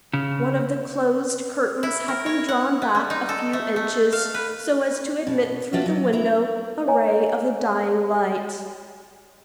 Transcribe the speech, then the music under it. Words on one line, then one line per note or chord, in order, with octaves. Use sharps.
One of the closed curtains had been drawn back a few inches, so as to admit through the window a ray of the dying light.
C#3
E4
A#4
C#5
F#5
B3
G3
D#4
A4
A3
A3
F5
B4
B2
D4 F4 F#4 E5
F#3
E4 A#5
C#5 D#5 G#5 A#5